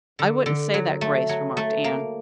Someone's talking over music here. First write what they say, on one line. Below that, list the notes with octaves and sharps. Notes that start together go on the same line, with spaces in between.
"I wouldn't say that, Grace," remarked Anne.
D3
D3
F#3
A3
F#3
A3
A#3